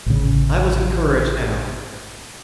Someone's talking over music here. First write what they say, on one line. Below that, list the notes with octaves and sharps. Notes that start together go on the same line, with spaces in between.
I was encouraged now.
A1 C#3